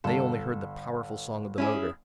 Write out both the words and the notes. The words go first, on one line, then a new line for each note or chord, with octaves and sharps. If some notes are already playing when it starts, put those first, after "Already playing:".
They only heard the powerful song of the motor.
G1 A4 A5
C#4 E4 G#4